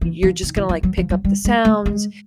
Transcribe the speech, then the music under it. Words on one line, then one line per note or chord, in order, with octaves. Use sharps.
you're just gonna, like, pick up the sounds,
E3
F3
D#3
E3
F3
F#3
F3
F#3
G3
G#3
A3
G#3